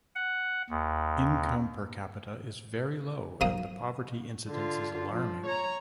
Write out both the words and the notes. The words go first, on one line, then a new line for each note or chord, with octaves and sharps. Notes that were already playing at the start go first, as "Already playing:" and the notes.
Income per capita is very low and the poverty incidence is alarming.
F#5
D#2
C3 F#3 A#3 D#6
D3 F4
F3
C#5 A#5